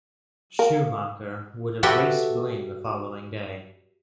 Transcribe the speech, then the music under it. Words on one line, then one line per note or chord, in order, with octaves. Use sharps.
Schumacher would have raced Blaine the following day.
A#4 F5
F#4 G4 A4 B4 E5 G5